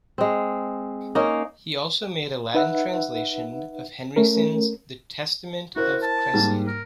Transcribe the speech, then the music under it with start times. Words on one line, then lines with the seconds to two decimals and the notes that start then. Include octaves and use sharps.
He also made a Latin translation of Henryson's "The Testament of Cresseid".
0.18 G#3 C4
1.15 A#3 C#4 D#4
2.55 D#4 B4 E5 F#5
4.16 A3 C#4 A#4
5.76 E4 F#4 A#4 C5
6.03 A5
6.33 G#2 G3 A#3
6.67 A#4